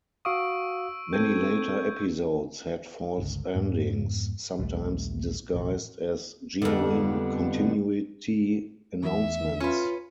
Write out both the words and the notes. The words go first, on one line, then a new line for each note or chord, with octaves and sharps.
Many later episodes had false endings, sometimes disguised as genuine continuity announcements.
F#4 F5 C#6 D#6 E6 D7
C4 A4 G6 G#6 D#7
G1 C#2
F2 G#2 B3
A#1 D#2 G3 A3
A1 E2 B2
F2 D3 G3 B3
E2 E5
C#4 F4 B4